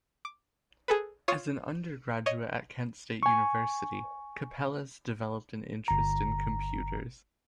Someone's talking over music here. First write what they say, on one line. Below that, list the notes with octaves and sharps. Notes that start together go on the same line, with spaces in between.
As an undergraduate at Kent State University, Capellas developed an interest in computers.
D6
G#4 A4 B4
F4 C#5 C6 C#6 D#6
C#5 D#5
G#5 C#6
G1 A#5